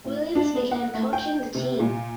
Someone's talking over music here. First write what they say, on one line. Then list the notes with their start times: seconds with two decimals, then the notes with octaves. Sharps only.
Williams began coaching the team.
0.04 A2
0.35 D4
0.55 B3
0.71 F#5
0.94 A3
1.13 G5
1.55 C3
1.80 A#2